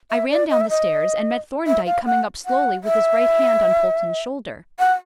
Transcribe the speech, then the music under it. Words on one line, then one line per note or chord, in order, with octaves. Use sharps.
I ran down the stairs and met Thorndyke coming up slowly with his right hand on Polton's shoulder.
E5
D5
D#5
E5
D#5
E5
F5
F#5
F#5
E5
F#5